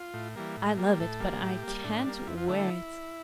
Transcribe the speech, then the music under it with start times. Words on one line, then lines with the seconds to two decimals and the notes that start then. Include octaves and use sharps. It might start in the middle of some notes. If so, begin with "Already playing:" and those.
I love it, but I can't wear it.
Already playing: F4
0.14 A2
0.35 E3 G3 A#3
0.57 A2
0.77 G3 A#3
1.00 A2 A4
1.20 G3 A#3
1.42 A2 G4
1.63 G3 A#3
1.84 A2 D4
2.06 G3 A#3
2.27 F2 E4
2.37 F4
2.48 D3 A3 E4
2.59 E4